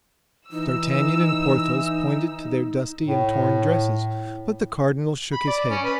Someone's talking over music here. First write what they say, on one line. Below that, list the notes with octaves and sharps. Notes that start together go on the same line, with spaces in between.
D'Artagnan and Porthos pointed to their dusty and torn dresses, but the cardinal shook his head.
E3 D#4 E6
A2
B5
D5
C#4
B4